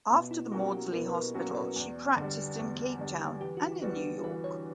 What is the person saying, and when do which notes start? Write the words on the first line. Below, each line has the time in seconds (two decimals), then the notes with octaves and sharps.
After the Maudsley Hospital she practised in Cape Town and in New York.
0.11 B2
0.31 E4
0.51 F#3 A#3 C#4 F#4 G4
0.72 G4
0.93 B2 A#4
1.08 B4
1.15 A#4
1.34 F#3 A#3 C#4 F#4
1.55 D5
1.76 E2
2.16 D3
2.22 G3
2.59 E2
2.99 D3 G3
3.41 E3 G4
3.57 F#4
3.68 E4
3.82 G3 B3 F#4 B4
3.96 D4
4.24 E3 B4
4.44 C#5